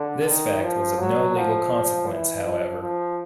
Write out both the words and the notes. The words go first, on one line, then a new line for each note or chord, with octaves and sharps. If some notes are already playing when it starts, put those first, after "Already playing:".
This fact was of no legal consequence, however.
Already playing: D3
D#3
F3
F#3
F3
E3
F3
F3